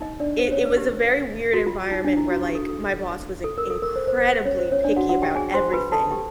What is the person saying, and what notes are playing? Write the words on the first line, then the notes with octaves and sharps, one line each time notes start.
it it was a very weird environment where, like, my boss was in incredibly picky about everything.
D#4 D#5
D4 D5
C5
C#4 C#5
B4
G4
F#4
F4
D#4
D4
E4
F#4
G4
A4
A4
A4
A#4
A4
A#4
C5
C5
C5
C#4 C#5
C5
C#4 C#5
D4 D5
F#4 F#5
F#4 F#5
G4 G5
G#4 G#5
C5 C6
B4 B5
A4 A5
G4 G5